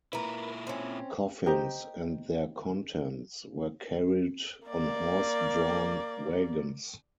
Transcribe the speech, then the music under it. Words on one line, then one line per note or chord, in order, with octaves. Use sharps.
Coffins and their contents were carried on horse-drawn wagons.
A#2 E4 A#4 B4
C4 C#4
G4 C5 D#5 A#5
A#3 D5